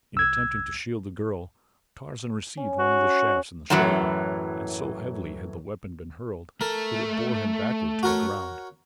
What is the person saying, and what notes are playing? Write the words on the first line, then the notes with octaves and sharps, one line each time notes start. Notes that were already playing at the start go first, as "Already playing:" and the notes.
In attempting to shield the girl, Tarzan received one of the shafts in the shoulder, and so heavily had the weapon been hurled that it bore him backward to the ground.
C2 E6 G#6
C#4
F#4
F#2 A2 E3 F#3
A3 A4 A#4
F#4 A#4 C#5